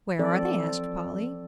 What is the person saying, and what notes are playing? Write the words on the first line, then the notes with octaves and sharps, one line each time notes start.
"Where are they!" asked Polly.
E3 F3 C4 A4 D5